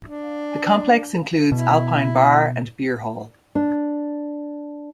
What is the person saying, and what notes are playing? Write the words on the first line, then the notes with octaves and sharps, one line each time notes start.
The complex includes Alpine Bar and Bier Hall.
D4
B2 E4
D4